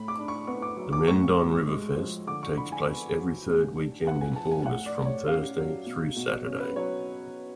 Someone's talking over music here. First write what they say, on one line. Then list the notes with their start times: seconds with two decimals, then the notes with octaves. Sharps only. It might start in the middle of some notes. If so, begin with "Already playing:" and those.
The Mendon Riverfest takes place every third weekend in August from Thursday through Saturday.
Already playing: A2 B5
0.08 D6
0.19 D4
0.28 C#6
0.47 B3 C#6
0.62 D6
0.77 F#3
0.93 D6
1.07 A2 C#6
1.38 A2
1.68 G#3
1.97 F3
2.27 D3 D6
2.43 C#6
2.57 D4 B5
2.72 G#5
2.87 B3
3.18 F#3
3.47 A2
3.76 D4
4.06 B3 F#5
4.21 G#5
4.36 F3 A5
4.51 G#5
4.66 A2 F#5
4.86 D5
4.96 A2
5.06 C#5
5.26 C#4 F5
5.57 F#3
5.86 B2
6.16 B2
6.46 C#4
6.60 B4
6.76 F#3 C#5